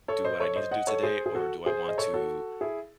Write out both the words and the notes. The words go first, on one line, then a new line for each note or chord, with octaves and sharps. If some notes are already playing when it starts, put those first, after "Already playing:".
do what I need to do today?" or, "Do I want to,
A4 C#5
C5 D#5
A4 C#5
C5 D#5
D#5 F#5
A4 C#5
G#4 C5
G#4
F#4 A4
G#4 C5
D#5
A4 C#5
F#4 A4
E4 G#4